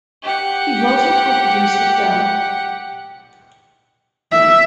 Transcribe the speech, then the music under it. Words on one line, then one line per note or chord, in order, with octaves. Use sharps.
He wrote and co-produced the film.
G4 F#5
E5